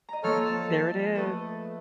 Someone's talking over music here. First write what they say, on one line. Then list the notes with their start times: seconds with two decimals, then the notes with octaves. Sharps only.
There it is.
0.09 D#5 A#5
0.24 F3 A#3 A4 C#5 F6
0.45 A5
1.15 A3 A4 B4 D#6